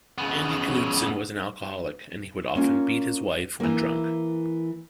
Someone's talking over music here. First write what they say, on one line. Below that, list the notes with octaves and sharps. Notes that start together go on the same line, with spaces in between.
Andy Knutson was an alcoholic and he would often beat his wife when drunk.
C#3 B3
A#3 C#4 F4
E3 A#3